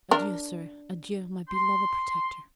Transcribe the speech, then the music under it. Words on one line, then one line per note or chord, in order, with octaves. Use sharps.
"Adieu, sir, adieu, my beloved protector."
D4 A#4
C6